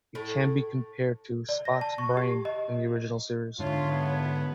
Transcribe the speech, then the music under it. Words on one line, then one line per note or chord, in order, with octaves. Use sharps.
It can be compared to "Spock's Brain" in The Original Series.
A2
D5
A#6
A5
C#6
G4
D#5
G#2 D3 F4 C#5 E5 A5
B3